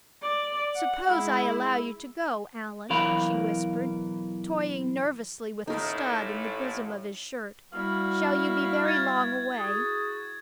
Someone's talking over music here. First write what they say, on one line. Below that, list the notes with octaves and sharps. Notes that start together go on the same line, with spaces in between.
"Suppose I allow you to go, Allan?" she whispered, toying nervously with the stud in the bosom of his shirt. "Shall you be very long away?"
D5
F#5
G#3 E4
B1 E3 A#4 F5 B5
A1 A2 D#4 A#4
G3 E4 F#4 F5
G#6 A6
F#4 G#4